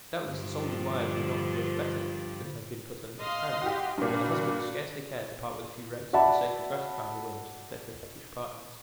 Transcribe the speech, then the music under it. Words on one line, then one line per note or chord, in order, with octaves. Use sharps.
Doubtless the soldiers' wives would not have wished better than to have been put under his hands, but the husbands scarcely cared to part with a few reis for the sake of gratifying the whims of their coquettish partners.
G2 D3 F3
D#5 F5 C6
F#4 G4
G2 A#2 F#4
F#4 D5 E5 F#5 A5 B5